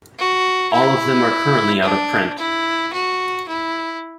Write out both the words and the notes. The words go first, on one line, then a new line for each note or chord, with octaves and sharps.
All of them are currently out of print.
F#4
E4
D4
E4
F#4
E4